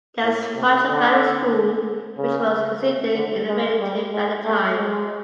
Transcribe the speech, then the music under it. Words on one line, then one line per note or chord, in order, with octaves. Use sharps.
There was much about the school which was considered innovative at the time.
A2
C3
D3
C#3
C#3
D3
G#3
G3
G#3
A3
G#3